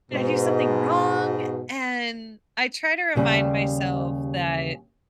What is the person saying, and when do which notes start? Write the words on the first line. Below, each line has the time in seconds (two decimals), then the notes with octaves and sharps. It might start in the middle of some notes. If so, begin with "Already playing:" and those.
did I do something wrong?" And I try to remind myself that
0.11 G#2 B2
3.15 D#2 C#3 G3